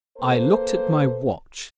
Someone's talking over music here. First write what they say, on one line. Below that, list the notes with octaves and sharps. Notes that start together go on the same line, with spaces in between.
I looked at my watch.
A#3 A4 B4 C5